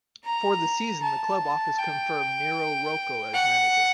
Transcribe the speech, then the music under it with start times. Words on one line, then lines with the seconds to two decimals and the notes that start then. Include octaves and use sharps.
For the season the club office confirmed Nereo Rocco as manager.
0.25 A#5
1.02 A5
1.79 G5
3.33 F#5